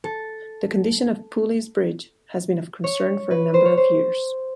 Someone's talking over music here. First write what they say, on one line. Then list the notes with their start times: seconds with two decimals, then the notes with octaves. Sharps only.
The condition of Pooley's Bridge has been of concern for a number of years.
0.04 A4
2.84 C#5
3.31 B4
3.54 C5
3.65 C#5
3.77 C5